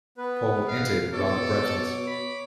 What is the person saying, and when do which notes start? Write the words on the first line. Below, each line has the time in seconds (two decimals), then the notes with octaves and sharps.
Paul entered rather breathless.
0.18 B3 B4
0.67 F5
1.13 B2 A4 C#5 D6
2.07 B5